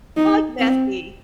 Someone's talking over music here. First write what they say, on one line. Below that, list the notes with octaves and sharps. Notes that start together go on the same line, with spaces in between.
So, like, messy
D#4
C4